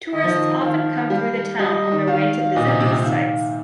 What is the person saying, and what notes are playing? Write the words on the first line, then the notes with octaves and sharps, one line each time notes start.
Tourists often come through the town on their way to visit these sites.
D#3 D#5
F3
D#3
D#3 F5
G3 F5
G3 D#5
D#3
D#3 F5
A#2 D#5
C3
C3
C3
D#3 F5